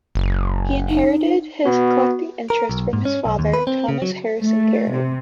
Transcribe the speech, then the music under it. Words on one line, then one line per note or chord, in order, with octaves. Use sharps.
He inherited his collecting interest from his father, Thomas Harrison Garrett.
F#1
D#4
B3 F#4
A#4
B1
G#2
C#4
B1
D#2
B4
C4
C#3
F#3
A3
C3